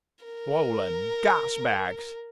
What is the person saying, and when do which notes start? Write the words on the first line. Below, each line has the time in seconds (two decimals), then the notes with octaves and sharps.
Swollen gas-bags!
0.25 A#4